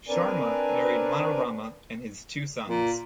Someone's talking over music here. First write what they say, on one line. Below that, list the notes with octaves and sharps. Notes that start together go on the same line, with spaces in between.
Sharma married Manorama and has two sons.
C4 D4 A#4 B4 D5 G#5
A#2